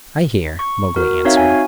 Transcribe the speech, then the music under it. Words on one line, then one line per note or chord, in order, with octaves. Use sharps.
"I hear," Mowgli answered.
C#6
F#4 A#4
C4 D#4 F#4 C#5 E5 F5
G#5